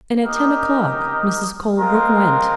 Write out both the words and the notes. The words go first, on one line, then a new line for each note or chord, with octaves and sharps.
And at ten o'clock Mrs. Colebrook went.
D#4 G4 A#4 D#5
G#3 C4 F4 A#4